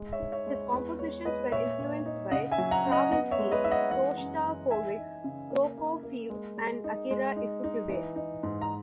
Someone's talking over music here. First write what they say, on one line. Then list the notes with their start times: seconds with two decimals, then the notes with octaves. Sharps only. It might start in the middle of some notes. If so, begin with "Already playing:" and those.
His compositions were influenced by Stravinsky, Shostakovich, Prokofiev and Akira Ifukube.
Already playing: G#3
0.12 C#5 E5
0.20 D#4
0.32 C#5 E5
0.46 G#3
0.53 C#5
0.73 E2 B4
0.99 G#3 C#5
1.25 G#3 B4 D#5
1.52 A#2 C#5 E5
1.79 A#2
2.06 D#4
2.31 C#3 D#5 F#5
2.51 E5 G#5
2.58 F#3
2.71 F#5 A#5
2.85 C#4
2.91 D#5 F#5
3.11 B3 D#5 F#5
3.31 C#5 E5
3.38 G#3
3.51 B4 D#5
3.64 D#4 E5
3.71 D#5 F#5
3.91 E3 D#5 F#5
4.17 F#2
4.45 E3
4.70 D#4 E5 G#5
4.98 D#4
5.24 C#3
5.50 A#3
5.78 A#3
6.03 A#3
6.30 G#3
6.58 G#3
6.84 D#4
7.11 G#3
7.36 D#4
7.64 D#4
7.89 E3
8.16 D#4
8.43 G#2
8.61 A#5